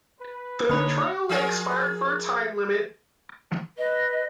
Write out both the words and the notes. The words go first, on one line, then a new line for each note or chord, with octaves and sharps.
The trial expired for time limit.
B4
D3 A#3 D4 D#4 C#5 B5 D#6
F3 G#4 A#4
B4 D#5